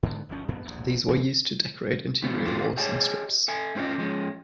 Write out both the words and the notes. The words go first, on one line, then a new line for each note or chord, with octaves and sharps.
These were used to decorate interior walls, in strips.
G#2 D3 G#3 B3
G1 D2 F3 C#4
G2 B2 F#3 B3
D#1 A#1 E2
E3 F#3 G#3 A#3
B2 E3 G#3 A3 B3 C4
A3 F4 F#4 A4 B4
G4 G#4 C#5 D#5 G#5 A5
A4 E5 G#5
A3 C4 C#4 F4 D#5
F3 G#3 C4 C#4